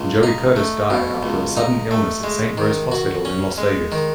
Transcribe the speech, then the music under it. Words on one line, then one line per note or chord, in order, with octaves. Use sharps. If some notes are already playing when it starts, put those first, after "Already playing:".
Joey Curtis died after a sudden illness at Saint Rose Hospital in Las Vegas.
Already playing: C#2
D#4
A3
B2
C#2
D#4
A3
G#3
D#3
F#4
C#4
G#3
D#3